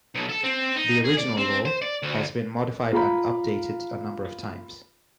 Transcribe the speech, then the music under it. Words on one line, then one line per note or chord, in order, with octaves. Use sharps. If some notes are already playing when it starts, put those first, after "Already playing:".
The original law has been modified and updated a number of times.
B1
A4
C4
D#4
G#4
D5
C4
C5
D5
D2
F4 A#5 B5